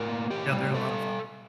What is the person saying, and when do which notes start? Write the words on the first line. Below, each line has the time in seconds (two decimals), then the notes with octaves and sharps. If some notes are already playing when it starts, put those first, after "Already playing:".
Yeah, they're a lot of fun.
Already playing: A2 A#4
0.09 A#3
0.30 A2 G4
0.52 G3
0.75 G3 A4